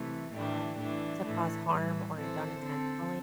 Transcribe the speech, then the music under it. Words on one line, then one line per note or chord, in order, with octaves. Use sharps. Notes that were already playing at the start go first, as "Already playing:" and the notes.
um, to cause harm or done intentionally,
Already playing: C3 E3 A3
A2 E3 A3 D4 G4
E3 A3 D4
A2 E3 A3
A2 E3 G3
E3 C4 A4 C5
D3 C4 A4